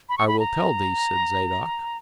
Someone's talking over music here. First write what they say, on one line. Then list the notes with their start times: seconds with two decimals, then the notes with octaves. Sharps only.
"I will tell thee," said Zadok.
0.09 B5
0.18 C#6
0.28 B5
0.39 A#5